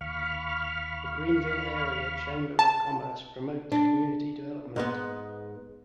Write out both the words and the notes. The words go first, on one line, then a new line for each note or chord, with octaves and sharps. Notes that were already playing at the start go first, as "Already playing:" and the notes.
The Greenville Area Chamber of Commerce promotes community development.
D#2 F5 B5 C#6 F6
A5
D4
G#2 G#3 B3